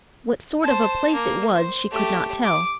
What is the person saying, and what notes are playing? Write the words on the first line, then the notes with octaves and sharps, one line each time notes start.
What sort of a place it was she could not tell.
C5 A5
A#3
C5
A3 G4
D6